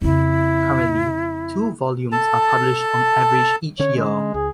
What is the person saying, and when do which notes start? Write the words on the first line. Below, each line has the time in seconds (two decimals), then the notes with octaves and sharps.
Currently, two volumes are published on average each year.
0.01 F2 C#3 E4
2.12 A4 A5
3.79 D3 C#4 C#5
3.96 G#3
4.34 C#2 G#4